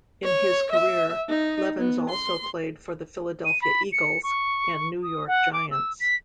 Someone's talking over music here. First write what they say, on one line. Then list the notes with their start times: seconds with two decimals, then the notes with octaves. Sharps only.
In his career, Levens also played for the Philadelphia Eagles and New York Giants.
0.24 C#5
0.72 E5
1.29 D#4
1.78 B3
2.10 C6
3.45 D#7
3.62 B5
3.92 C#7
4.23 C#6
5.03 D#6
5.27 F#5
5.53 D6
5.71 E6
6.00 B6